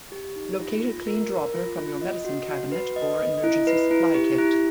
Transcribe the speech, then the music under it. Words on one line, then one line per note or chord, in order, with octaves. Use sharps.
Locate a clean dropper from your medicine cabinet or emergency supply kit.
G4
D#4
F4
F4
A#4
A#4
F4
F4
D#5
F#4
F#4
B4
D#5
D#5
E4
B4
E4
G4
E4